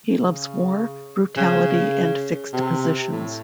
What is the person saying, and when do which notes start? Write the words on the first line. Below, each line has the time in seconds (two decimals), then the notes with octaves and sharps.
He loves war, brutality and fixed positions.
0.21 C#3
1.37 C#3
2.53 C3
3.12 A2